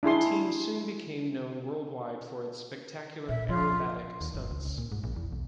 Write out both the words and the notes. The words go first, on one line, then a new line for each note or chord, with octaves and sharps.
The team soon became known worldwide for its spectacular aerobatic stunts.
D4 E4 G#4 C6
A#2 E5
F3 F4
D#2
G1
C#2
C#2
A#2
G#2
A#1
E2
B1